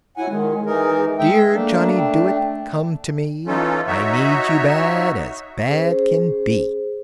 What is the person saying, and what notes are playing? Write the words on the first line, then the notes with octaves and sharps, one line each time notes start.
"Dear Johnny Dooit, come to me. I need you bad as bad can be."
F#3 E4 F#5 G#5
D#3 G#3
E3 D#4 G#4 A#4
G#3 E5 G5
A3 A#3 D4
G5
E3 C#4 D#4 F4 A4
D#4 F#4 C#5 E5
C#4 G#4 C5